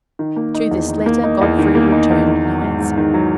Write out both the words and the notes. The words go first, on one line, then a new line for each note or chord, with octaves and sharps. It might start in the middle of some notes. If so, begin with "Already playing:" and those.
To this letter Godfrey returned no answer.
D#3
A#3
D#4
E2
D#3
A#3
D#4
E2
D#3
A#3
D#4
E2
D#3
F#3
G#2
G#2
D#3
F#3